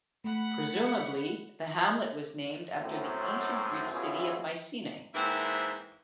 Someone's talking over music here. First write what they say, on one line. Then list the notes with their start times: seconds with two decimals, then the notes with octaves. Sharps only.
Presumably the hamlet was named after the ancient Greek city of Mycenae.
0.24 A3 F#5 B5
2.81 F#2 A2 C4
3.91 B2 E3 C#4 E4 F4 G#4
5.15 G#2 E3 A#3 C4 A#4 E5